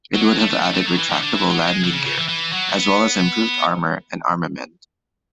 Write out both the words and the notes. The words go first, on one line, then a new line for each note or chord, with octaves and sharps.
It would have added retractable landing gear, as well as improved armour and armament.
F#3
A3
A3
A3
A3
F#3
E3
D3
D3
E3
F#3
G#3
D3
C#3
C#3
E3
E3
F#3
A3
B3